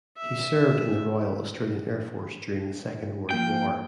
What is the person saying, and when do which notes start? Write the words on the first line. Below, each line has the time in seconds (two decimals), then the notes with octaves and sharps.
He served in the Royal Australian Air Force during the Second World War.
0.17 E5
3.31 F3 A#3 F4 G5